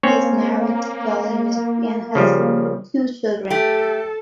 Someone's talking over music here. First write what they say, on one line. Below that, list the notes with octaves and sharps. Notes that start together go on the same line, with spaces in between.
He is married to Dolly Misri and has two children.
A#3 C4 C#4 C#5
C#3 F3 G3
A3 G4 A4